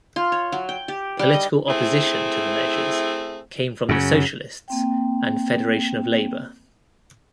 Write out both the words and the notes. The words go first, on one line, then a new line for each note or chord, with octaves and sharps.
Political opposition to the measures came from the socialists and Federation of Labour.
F4
C#5
F#3
G5
G4
G3
D#5
A3 C4 E4 G#4
F#2 C#3
A#3 C4 G5